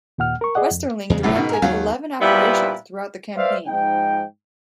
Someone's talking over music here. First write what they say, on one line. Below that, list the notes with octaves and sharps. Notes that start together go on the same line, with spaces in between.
Westerling directed eleven operations throughout the campaign.
D#2 A#2 F#5 F6
A#4 C#6
G#4 D5 D#5 F#5
F2
E2 C#3 G#3
F1 A#1 A2 G3
G#2 B2 D#3
A#4 G#5
D#2 F#3 F5
A#2 G3 B3 E4 B4 C5
B4 C5 D5 E5 F5
G#2 F3 D#4 G5